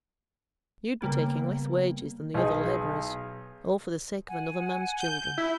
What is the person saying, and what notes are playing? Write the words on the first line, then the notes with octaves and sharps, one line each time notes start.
You'd be taking less wages than the other labourers--all for the sake of another man's children.
C#3 G3 A#3 B3
B1 D#4 G#4
F#5 G#5
G6
E4